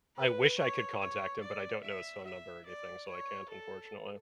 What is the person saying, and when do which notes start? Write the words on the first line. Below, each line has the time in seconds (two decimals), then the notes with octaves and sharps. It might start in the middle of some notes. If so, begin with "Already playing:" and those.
I wish I could contact him, but I don't know his phone number or anything, so I can't, unfortunately.
0.16 B4
0.58 C#5
0.99 C#5
1.41 D5
1.82 E5
2.24 E5
2.66 D5
3.08 C#5
3.50 A4